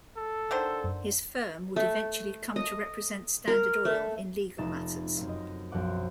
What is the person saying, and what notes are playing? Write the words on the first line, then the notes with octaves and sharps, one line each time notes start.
His firm would eventually come to represent Standard Oil in legal matters.
A4
D3 D#3 C5
F#2
A3
D#5
A#4
A3
F1 C#4 D#4 A6 E7
F#2 C4 F4
D#5
B1 F#2 F3 C5 F#5 D6